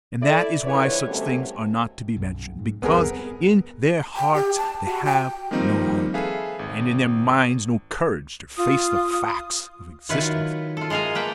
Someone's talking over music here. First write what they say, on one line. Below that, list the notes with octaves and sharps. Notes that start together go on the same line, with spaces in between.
And that is why such things are not to be mentioned, because in their hearts they have no hope, and in their minds no courage to face the facts of existence.
E4 A4 D5
F2 D3 E4 B4 C#5
C3 F#3 G#3 A#3 C#4 A4
B1 F#2
G#2
F1 C2 C3 B3 G#4 A#4
G5
G4
A5
F#4
G5
D#3 F3 G3 A#3 C4 D#4
G#4 A4 B4 E5 F5
G#1
F4 D#6
D#3 F#3 E4 F4 B4
F4 A4
G#3 D#5 F5 G#5 A#5
A#3 B4 G5 A5